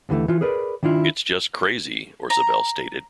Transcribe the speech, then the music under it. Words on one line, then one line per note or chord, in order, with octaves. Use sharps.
It's just crazy, Orzabal stated.
D#2 D3 E3 G#3 A3
E3 F4
G#4 A#4 B4 D5
D#3 D4 E4 F4
A#5